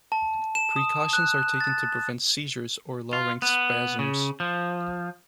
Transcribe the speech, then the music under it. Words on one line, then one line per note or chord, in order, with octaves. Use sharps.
Precautions are taken to prevent seizures or larynx spasms.
A5
E7
D#6
F#6
A6
F4
B3
C#3
F3